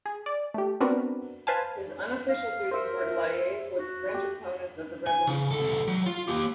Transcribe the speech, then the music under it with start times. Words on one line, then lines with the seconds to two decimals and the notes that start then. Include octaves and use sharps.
His unofficial duties were to liaise with French opponents of the Revolution.
0.06 G#4
0.26 D5
0.54 A3 G4
0.80 B3 C4 D4 F#4 A#4 B4
1.47 B4 C5 F5 G#5 A5
2.29 F5
2.71 A#4 C5 E5
3.79 F#4
4.14 G4
5.07 G#5
5.27 C#3
5.51 C2 A4
5.87 F#3
6.06 F4
6.28 A#3 G4